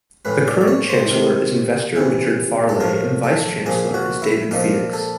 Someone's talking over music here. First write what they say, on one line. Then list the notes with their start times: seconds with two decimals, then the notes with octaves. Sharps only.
The current Chancellor is investor Richard Farleigh and Vice-Chancellor is David Phoenix.
0.25 A2 E3 B4
0.47 D5
0.61 D5
0.68 C#5
0.89 C5
1.11 C3 D#3
1.96 C3 E3
2.69 A4
2.80 A2 F3 A#4
3.24 A4
3.66 A#2 F3 G#4
3.94 F#4
4.22 E4
4.51 A#2 F3 D#4
4.93 A4